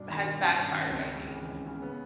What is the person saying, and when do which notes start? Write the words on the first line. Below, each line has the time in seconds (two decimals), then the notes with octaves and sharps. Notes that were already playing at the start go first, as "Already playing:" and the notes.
has backfired on you?
Already playing: G2 B2 D4
0.08 D#3
0.23 D#3
0.39 G2 C#4
0.56 G2
0.71 D#3
0.79 C#4
0.86 C#2 C4
1.03 C#3
1.19 C#2
1.34 E3
1.51 C#2
1.66 C#3
1.82 B3